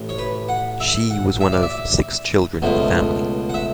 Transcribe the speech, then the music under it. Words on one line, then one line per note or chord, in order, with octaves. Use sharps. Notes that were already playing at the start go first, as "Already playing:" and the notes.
She was one of six children in the family.
Already playing: A1 A2
C#5
B4
F#5
E5
F#5
E5
D5
E5
C#2 B2 A3
F#5
E5